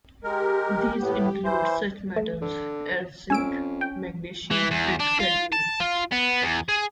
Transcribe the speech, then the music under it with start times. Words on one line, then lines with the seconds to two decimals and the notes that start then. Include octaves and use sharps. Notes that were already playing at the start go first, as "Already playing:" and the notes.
These include such metals as zinc, magnesium, and cadmium.
0.24 G#3 G4 A#4
1.01 A2 B3
1.44 E3 C5
2.16 A3
2.41 D3
3.30 F2 C#4 G#5 E6 D7
3.81 G5
4.51 E3
4.71 E2
5.00 D4
5.20 F4
5.53 A5
5.80 F4
6.12 B3
6.43 E2
6.69 G#4